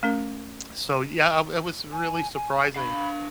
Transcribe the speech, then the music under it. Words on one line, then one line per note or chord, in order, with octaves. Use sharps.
so, yeah, w it was really surprising
A3 C#4 A#4
G#5
G#5
D4 F5 B5